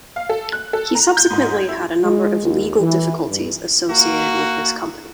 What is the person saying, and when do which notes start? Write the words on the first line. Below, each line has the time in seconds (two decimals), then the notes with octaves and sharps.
He subsequently had a number of legal difficulties associated with this company.
0.16 F5
0.29 A4
0.53 F#6
0.73 A4
0.95 A#5
1.17 G6
1.30 G#2
1.54 G#6
1.69 E4
2.04 G#3
2.43 D#2
2.79 E3
3.29 G2
3.89 A#3 F#4